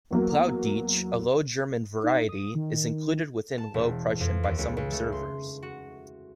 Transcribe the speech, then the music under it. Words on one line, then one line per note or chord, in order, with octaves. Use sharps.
Plautdietsch, a Low German variety, is included within Low Prussian by some observers.
E2 F#3 A#3
D#4
D#6
D#3
A5
E1
F2
D#2
C#2
C#2
A3
C6
F#4